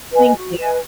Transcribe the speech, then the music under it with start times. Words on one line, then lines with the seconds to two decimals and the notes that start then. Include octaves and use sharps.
Thank you.
0.12 B4 D#5 G#5
0.35 F#4
0.58 B4 D#5 G#5